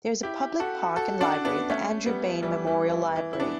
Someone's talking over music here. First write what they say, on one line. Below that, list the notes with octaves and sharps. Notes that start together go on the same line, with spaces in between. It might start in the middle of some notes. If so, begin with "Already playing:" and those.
There is a public park and library, the Andrew Bayne Memorial Library.
E4 G4
F#4 A4
F#4 A4
D4 F#4
B3 D4
A3 C#4
G3 B3
E3 G3
E3 G3
E3
E3
E4
B3 D4